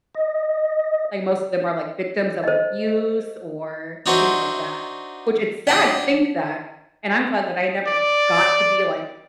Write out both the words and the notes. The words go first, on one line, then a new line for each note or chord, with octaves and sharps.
Like, most of them are, like, victims of abuse or things like that, which it's sad to think that, and I'm glad that I never got to be, like,
D#5
C5 D#5
D4 D#4 F#4 C5 E5
D4 D5 F#5 G5
D5